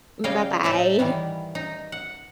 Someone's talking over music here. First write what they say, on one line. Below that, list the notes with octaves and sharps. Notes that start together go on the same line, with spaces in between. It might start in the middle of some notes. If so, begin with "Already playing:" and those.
M Bye-bye.
C#3 G3 G#4 D#5 F5 G5
A2 D#4 E5 A5
D#3 E3 G3 B3
D#4
F#5